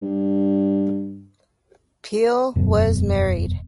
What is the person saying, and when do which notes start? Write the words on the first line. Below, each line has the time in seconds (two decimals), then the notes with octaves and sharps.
Peal was married.
0.02 G2
2.56 E1 F#2 B2